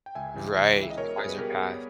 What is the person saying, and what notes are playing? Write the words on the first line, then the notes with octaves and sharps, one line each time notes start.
Right. She finds her path.
G5
C#2 E5 G#5
C#3 E3
C#2
C#3 E3
E5
D#5
B2 A#4 C#5
G3 B3 G#4 B4
B4
B2 G4 A#4
G3 B3